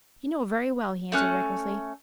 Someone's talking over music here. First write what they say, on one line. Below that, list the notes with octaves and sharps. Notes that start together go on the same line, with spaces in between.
"You know very well," he answered recklessly.
A3 C#4 F#6